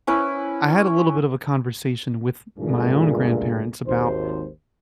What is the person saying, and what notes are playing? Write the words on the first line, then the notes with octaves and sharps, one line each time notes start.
I had a little bit of a conversation with my own grandparents about
C#4 E4 B4
C#2 G2 A#2 D3 A3 G#4
G#1 D#2 C5